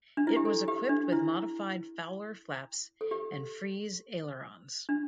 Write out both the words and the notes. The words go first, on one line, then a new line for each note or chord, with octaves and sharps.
It was equipped with modified Fowler flaps and Frise ailerons.
D4
E4
G4
A4
G4
D4
E4
A4
G4
D4